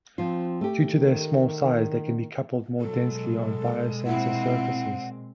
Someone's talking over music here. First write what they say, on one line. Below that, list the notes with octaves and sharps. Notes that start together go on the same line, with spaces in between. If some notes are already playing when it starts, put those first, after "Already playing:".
Due to their small size, they can be coupled more densely on biosensor surfaces.
F3 C4 F4
A3 G4
D#3
B2 F#3 G#3 A4
A#2 C4 E4 F#5